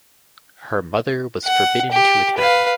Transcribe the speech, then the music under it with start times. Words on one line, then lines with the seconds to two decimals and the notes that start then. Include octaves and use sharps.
Her mother was forbidden to attend.
1.45 F#5
1.92 G4
2.38 B4 F5